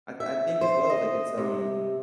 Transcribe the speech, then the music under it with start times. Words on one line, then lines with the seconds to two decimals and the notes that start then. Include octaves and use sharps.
I I think as well, like, it's, um
0.20 E5
0.61 C5
0.90 D#5
1.37 C3